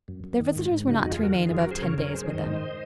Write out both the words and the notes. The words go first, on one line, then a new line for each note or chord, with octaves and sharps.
Their visitors were not to remain above ten days with them.
F#2
F#2
D#3
G#2
G#2
C#3 D#4 F#4
F2 D#4 F#4
F4 G#4
F2 F#4 A#4
D#3
F#2 F4 G#4
F#4 A#4
F#2 G#4 C5
C#3 A#4 C#5
F#2 A#4 C#5
F#2 G#4 C5
D#3 C5 D#5
G#2